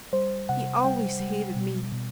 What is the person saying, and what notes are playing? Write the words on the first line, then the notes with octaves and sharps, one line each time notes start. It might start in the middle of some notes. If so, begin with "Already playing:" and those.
He always hated me.
G3 C5
C3 F#5
G3 G5
G3
B2
B2